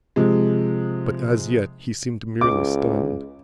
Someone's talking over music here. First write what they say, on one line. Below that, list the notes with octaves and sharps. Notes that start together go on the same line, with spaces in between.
But as yet he seemed merely stunned.
C3 F3 G#3
C#2 D6